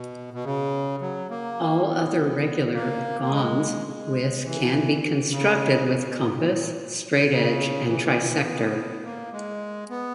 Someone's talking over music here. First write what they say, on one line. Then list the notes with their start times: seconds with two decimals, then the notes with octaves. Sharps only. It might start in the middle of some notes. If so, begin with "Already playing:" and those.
All other regular -gons with can be constructed with compass, straightedge and trisector.
Already playing: B2
0.34 B2
0.44 C#3
1.01 F#3
1.30 A#3
1.87 B3
2.74 A#3
3.21 A#3
3.31 G#3
3.88 G#3
4.45 E3
5.31 C#3
5.89 B2
5.98 C#3
6.08 B2
6.17 A#2
6.27 G#2
6.36 A#2
7.32 C#3
7.89 E3
8.04 E3
8.46 B3
9.04 A#3
9.33 G#3
9.90 B3